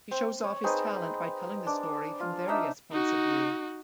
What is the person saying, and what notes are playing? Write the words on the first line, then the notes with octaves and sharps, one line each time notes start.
He shows off his talent by telling the story from various points of view.
C4
C#5
C4 D#4 G#4 B4
D4
F4
D4 D#4 E5 A#5
D#4 F#4